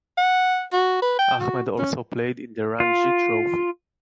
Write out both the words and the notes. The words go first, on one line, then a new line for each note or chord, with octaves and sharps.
Ahmed also played in the Ranji Trophy.
F#5
F#4
B4
G5
F#4
C#4
F4